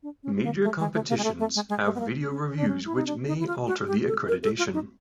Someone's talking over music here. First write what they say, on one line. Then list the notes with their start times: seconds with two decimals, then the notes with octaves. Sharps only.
Major competitions have video reviews which may alter the accreditation.
0.03 D4
0.23 C#4
0.43 A#3
0.63 A3
0.79 G#3
0.94 A3
1.09 A#3
1.18 G#3
1.24 A3
1.39 A3
1.55 G#3
1.69 G#3
1.85 A3
1.95 B3
2.00 A#3
2.31 C#4
2.46 C#4
2.57 D4
2.68 C#4
2.85 E4
2.95 D#4
3.07 D4
3.27 D#4
3.40 E4
3.47 F4
3.67 F#4
3.87 G4
4.08 A4
4.28 A#4
4.43 A4
4.58 F4
4.73 D#4